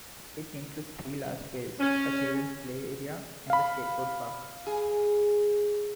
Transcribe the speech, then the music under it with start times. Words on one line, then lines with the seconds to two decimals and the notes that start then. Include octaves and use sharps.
It includes three large fields, a children's play area and a skateboard park.
1.80 C#4
3.50 F5 B5
4.67 G#4